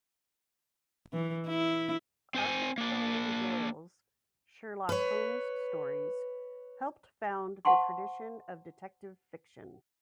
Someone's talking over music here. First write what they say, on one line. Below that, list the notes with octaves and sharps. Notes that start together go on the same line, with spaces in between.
Arthur Conan Doyle's "Sherlock Holmes" stories helped found the tradition of detective fiction.
E3
E4
C4 C5 G#5
A#3 D4
B4 C#5
C5 F#5 A5 C6 C#6